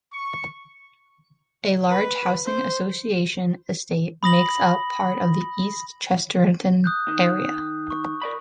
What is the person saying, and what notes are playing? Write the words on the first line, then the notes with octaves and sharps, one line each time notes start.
A large housing association estate makes up part of the East Chesterton area.
C#6
B4
C5
B5 D#6 A#6 F#7
D#6 F#6 G6
D#3
C#6
A#4 D5 B5